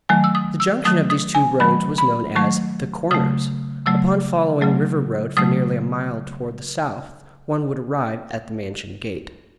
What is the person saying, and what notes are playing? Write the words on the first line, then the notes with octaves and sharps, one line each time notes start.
The junction of these two roads was known as "The Corners." Upon following River Road for nearly a mile toward the south one would arrive at the Mansion gate.
D#3 F#3 A3 G#5
E6
D#6
E6
D#3 F#3 A3 D#6
D#6
G#5
D#3 F#3 A3 B5
B5
D#3 F#3 A3 C#6
C#3 F#3 A3 D#6
C#3 F#3 A3 E6
C#3 F#3 A3
C#3 F#3 A3 D#6